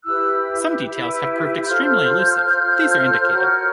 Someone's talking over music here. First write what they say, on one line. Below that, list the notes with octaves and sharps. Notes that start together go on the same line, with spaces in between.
Some details have proved extremely elusive, these are indicated.
E4 G4 B4 E6 F#6
E4 G4 B4
F4 A4 C5 F6 G6
F4 A4 C5
F#4 A#4 C#5